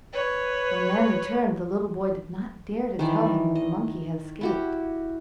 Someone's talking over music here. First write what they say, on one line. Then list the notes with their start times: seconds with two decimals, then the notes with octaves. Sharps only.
When the man returned the little boy did not dare to tell him that the monkey had escaped.
0.13 B4 C#5
2.99 D#3 E3 D5
3.55 D#5
4.41 E4 F#4 G4